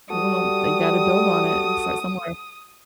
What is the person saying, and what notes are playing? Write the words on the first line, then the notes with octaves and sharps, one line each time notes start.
Well, you gotta build on it and start somewhere.
G3 F#4 A4 D#6